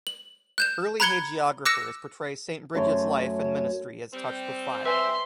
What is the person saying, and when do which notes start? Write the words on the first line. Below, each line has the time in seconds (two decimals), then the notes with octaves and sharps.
Early hagiographers portray Saint Brigid's life and ministry as touched with fire.
0.07 F#7
0.58 F#6 G6 E7
1.00 A#5 B5 F#6 G#6 C#7 G7
1.65 D6 E6 F#6 A#6 C#7 E7
2.75 F#2 A3 C#5 C6
4.13 G3 C4
4.85 B4 E5 G#5 C6